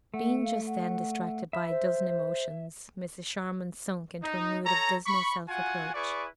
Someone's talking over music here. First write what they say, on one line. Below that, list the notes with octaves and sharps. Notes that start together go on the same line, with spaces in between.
Being just then distracted by a dozen emotions, Mrs. Charmond sunk into a mood of dismal self-reproach.
A3 F#5
F5
F#5
E5 B5
C5
D#4
A4 C#5 A#5
B5 C#6
F4 F#4 F#5 G#5
E4 G#4 B4 D5 C#6